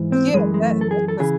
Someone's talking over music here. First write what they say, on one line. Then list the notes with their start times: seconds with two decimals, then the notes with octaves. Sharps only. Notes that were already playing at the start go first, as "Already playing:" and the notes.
Yeah, that that's just
Already playing: G#2 E3
0.12 C4
0.33 F#2 E3 G#3
0.54 G#3
0.62 A3
0.81 A4
0.91 G#4
1.08 A4
1.19 C#3 E3 G#4